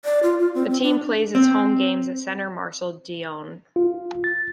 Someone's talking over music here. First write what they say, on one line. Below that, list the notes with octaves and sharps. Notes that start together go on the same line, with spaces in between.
The team plays its home games at Centre Marcel Dionne.
D5
F4
F4
C4
C4
D4
C4
F4
A6